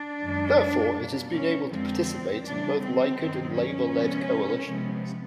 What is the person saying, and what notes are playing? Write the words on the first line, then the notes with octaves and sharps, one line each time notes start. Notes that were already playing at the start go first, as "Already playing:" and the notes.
Therefore, it has been able to participate in both Likud- and Labour-led coalitions.
Already playing: D4
F#2 D#3 G#3
B2 G3 A#3
C#4
F2 D3 F3 G#3 C4
C#3 E3 G3 D4
C4
G2 D#3 F#3
C#4
C3 F3 G#3 B3
C3 F3 G#3 B3